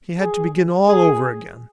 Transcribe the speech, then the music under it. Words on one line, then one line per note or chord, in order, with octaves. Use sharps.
He had to begin all over again.
G#4
G#4